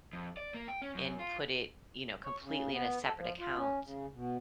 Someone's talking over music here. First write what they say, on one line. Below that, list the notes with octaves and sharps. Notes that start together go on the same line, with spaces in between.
and put it, you know, completely in a separate account
F2
D5
A#3
G5
C#4
F#2
F4
C#5
C#3
B3
A4
F3
F4
C#4
C#3
B2